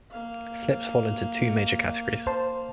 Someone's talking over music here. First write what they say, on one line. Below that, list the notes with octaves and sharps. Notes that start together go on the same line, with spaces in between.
Slips fall into two major categories.
A#3 F5
C5 A5